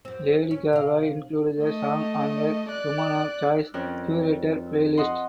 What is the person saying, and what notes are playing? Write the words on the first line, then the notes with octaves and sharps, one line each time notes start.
Lady Gaga included the song on her "Women of Choice" curated playlist.
F#2 C4
C#4
C3 F5
A3 D#5
D5 F#6
F2 C#4 A#4 G5 F#6
D#5 F#5 C6